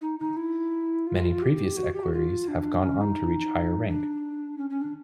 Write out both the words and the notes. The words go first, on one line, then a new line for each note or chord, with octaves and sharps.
Many previous equerries have gone on to reach higher rank.
D#4
D#4
E4
F4
G4
F#4
G4
F#4
F4
D4
C#4
D#4
D4
C#4
C#4
D4